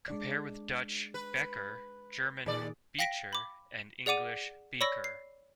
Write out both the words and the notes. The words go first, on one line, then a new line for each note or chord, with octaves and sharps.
Compare with Dutch "beker", German "Becher" and English "beaker".
G#3 D4 D5
B4
D#2 A#2 D#3 G#4 D5
F5 G5 A#6 B6 D7
B5 D6
G#4 D5 F#5 D6 D#7
C#5 D5 B5 C#6 E6 A#6
C7